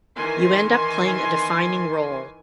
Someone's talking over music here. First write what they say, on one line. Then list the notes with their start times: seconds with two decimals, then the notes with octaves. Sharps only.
You end up playing a defining role.
0.16 D#3 E3 G#5 C6